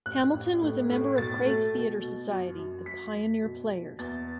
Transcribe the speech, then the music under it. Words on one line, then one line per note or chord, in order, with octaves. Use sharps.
Hamilton was a member of Craig's theatre society, the Pioneer Players.
A1 F#6
A1
A2
A2
B1 A6
A3
B2
B2
F#2
F#2
F#2 B6
F#2
B2
B2
E2 A6